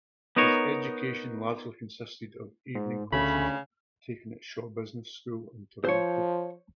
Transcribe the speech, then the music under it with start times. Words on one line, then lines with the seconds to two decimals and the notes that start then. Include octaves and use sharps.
His education largely consisted of evening courses taken at Shaw Business School in Toronto.
0.36 B3 D#4 A#4 C#5
2.75 G#2
3.12 D2 C#3 A3 C#4 B5
5.85 F3 C5 C#5